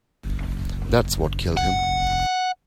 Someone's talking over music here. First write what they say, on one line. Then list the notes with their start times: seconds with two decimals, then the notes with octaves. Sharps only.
That's what killed him.
1.57 F#5